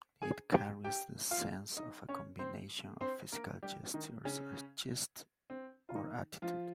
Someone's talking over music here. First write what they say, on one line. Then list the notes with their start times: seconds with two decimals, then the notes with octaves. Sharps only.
It carries the sense of a combination of physical gestures and "gist" or attitude.
0.22 G#4 G#5
0.53 G4 G5
0.84 G4 G5
1.31 F4 F5
1.77 D#4 D#5
2.09 C#4 C#5
2.39 C4 C5
3.01 C4 C5
3.32 A#3 A#4
3.63 G3 G4
3.94 D#3 D#4
4.25 C#3 C#4
5.50 C4
5.89 F4
5.95 D#3 D#4
6.42 F3 F4